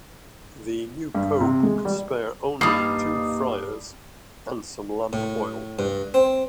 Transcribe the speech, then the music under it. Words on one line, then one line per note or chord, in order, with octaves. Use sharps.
The new Pope could spare only two friars and some lamp oil.
G2
C3
G#3
G3
G2 G3 A#3 D#4 D#6 C7
A2
G2
C4